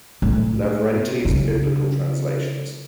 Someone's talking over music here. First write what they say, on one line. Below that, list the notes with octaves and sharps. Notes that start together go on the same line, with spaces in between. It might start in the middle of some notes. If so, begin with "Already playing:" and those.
Lavrentii's biblical translations.
A2
C#3